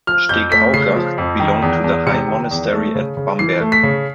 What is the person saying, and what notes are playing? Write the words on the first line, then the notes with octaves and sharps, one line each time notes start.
Stegaurach belonged to the High Monastery at Bamberg.
F3 F6
F2 G6
A3 B6
C#3 C7
F3
F2
D#3
E2
E2
C3 C#7
D#3
E2
A3
C#3
C#3
E3 C7
A3
B6
C#3